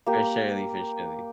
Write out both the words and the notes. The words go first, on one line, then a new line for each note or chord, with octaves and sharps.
for surely, for surely.
A#3 G4